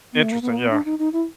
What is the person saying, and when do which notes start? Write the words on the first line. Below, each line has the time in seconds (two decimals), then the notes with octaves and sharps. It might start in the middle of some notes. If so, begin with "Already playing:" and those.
Interesting, yeah.
0.13 B3
0.22 A3
0.32 A#3
0.42 B3
0.50 A#3
0.59 B3
0.71 D4
0.85 D#4
0.99 D#4
1.13 E4